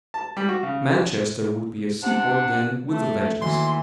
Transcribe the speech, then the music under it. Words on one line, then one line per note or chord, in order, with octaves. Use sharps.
Manchester would be a seaport then with a vengeance!
A5
G3
F#4
C#3
C3 D4 F#5
A3
D#2 E3 F#3 C6